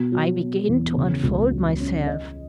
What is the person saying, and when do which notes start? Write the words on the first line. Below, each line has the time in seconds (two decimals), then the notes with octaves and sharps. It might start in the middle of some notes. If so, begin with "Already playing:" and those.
I begin to unfold myself.
Already playing: B2
0.12 F#3
0.40 B2
0.68 E2
0.96 C#3
1.23 C#2
1.51 F#3
1.80 C#4
2.07 D#5